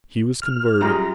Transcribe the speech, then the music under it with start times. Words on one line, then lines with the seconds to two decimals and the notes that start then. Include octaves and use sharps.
He was converted.
0.42 F6
0.81 F#2 G3 F4 G4 G#4 A#5